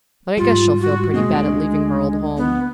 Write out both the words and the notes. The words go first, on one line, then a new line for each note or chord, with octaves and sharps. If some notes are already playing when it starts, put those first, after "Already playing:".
But I guess she'll feel pretty bad at leaving her old home.
G#2 G3 F4
F#4
B2 G#3 A#3 C4
D2 C4 D4
B3